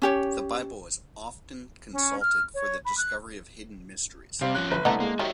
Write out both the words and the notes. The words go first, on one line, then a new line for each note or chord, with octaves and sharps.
The Bible is often consulted for the discovery of hidden mysteries.
C#4 G4 C#5
C#4
F6
C#5
B5
F#6
C3 G3 C4 F5
F3 C#4 F#6
G1 B4
C2 D3 A3 B3 D#4
G#3 A#3
D#3 F#4 G4 C#5 E5